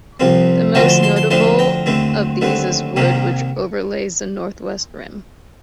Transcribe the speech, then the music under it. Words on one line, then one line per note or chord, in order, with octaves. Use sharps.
The most notable of these is Wood, which overlays the northwest rim.
C2 C3 F3 C4
D2 D3 F3 A3 C4 G5 A#5
A5 C6
A5 C6
A5 C6
D2 D3 F3 A3 C4 A5 C6
G5 A#5
D#2 D3 A3 C4
D#2 D3 A3 C4
C2 C3 D#3 A#3